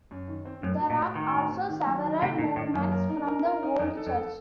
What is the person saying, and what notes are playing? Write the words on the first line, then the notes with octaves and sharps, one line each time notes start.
There are also several monuments from the old church.
F#2
D#3
C4
F#2 A2
F#4
A#2
A2
D#3 F#4
A2
C4
D#3
F#3
D#3
C3 A3
A#2 D#3
A2 D#3
F#2 A#3
A#4
D#4
A#4
A#4
D#4
F2 D#4
A4
F2
A4